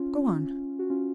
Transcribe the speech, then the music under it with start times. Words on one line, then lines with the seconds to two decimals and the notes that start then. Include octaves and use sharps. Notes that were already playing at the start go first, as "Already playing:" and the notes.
Go on.
Already playing: C#4 F4
0.79 F#4
0.90 C#4 F4